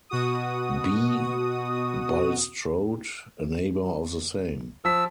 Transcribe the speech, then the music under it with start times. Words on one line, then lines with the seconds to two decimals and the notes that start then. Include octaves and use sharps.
B. Bulstrode, a neighbour of the same.
0.09 B2 F#4 D#6
4.85 F3 E6 B6